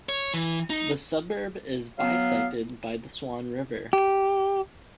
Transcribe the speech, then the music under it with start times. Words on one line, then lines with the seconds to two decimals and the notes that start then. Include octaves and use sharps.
The suburb is bisected by the Swan River.
0.09 C#5
0.34 E3
0.70 D#4
1.99 F#3 B3 F5
3.93 G4